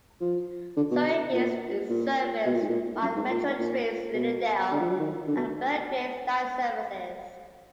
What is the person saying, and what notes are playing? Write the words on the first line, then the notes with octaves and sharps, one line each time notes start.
Surrey Hills is serviced by Metro Trains' Lilydale and Belgrave line services.
F3
D3
B2
A#2
A#2
B2
A#2
G#2
A#2
F#2
G#2
A#2
A#2
B2
D3
F3
F#3
D#3
D3
B2